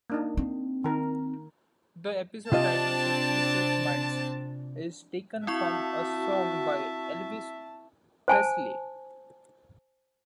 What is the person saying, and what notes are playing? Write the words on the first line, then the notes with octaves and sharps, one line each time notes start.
The episode title "Suspicious Minds" is taken from a song by Elvis Presley.
A#3 D4 D#4
C4
D#3 A#4
C3 C4 D4 F4 D#5 A5
C4 E4 F#4 E5 A5 C#6
C5 G#5 A5